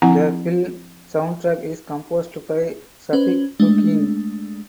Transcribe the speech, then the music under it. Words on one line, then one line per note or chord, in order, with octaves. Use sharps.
The film soundtrack is composed by Shafiq Tuhin.
F3 C4 E4 F#5 G#5 A#5
C#4 B4 C5
G#3 A3 D4